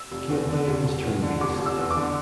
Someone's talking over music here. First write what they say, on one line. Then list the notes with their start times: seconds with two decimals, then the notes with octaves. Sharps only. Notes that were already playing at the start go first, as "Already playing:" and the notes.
Gameplay is turn-based.
Already playing: E6
0.11 F1
0.30 E2
0.49 D3
0.67 F1
0.86 F1
1.04 E2
1.22 D3
1.41 F1 D6
1.59 F1
1.66 E6
1.78 E2
1.91 D6
1.97 D3